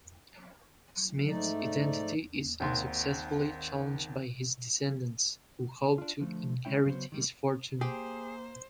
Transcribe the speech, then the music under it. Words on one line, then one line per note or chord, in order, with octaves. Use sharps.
Smith's identity is unsuccessfully challenged by his descendants, who hope to inherit his fortune.
G#2 A3 D#4 D5
G#1 D#2 C6
D4 F4
D3 F3 A3
G#3 C#4 E4 G5
C#3 F#3 B3 F#4 C5
D#3 G3 A#3
A#3 G4 G#4 C5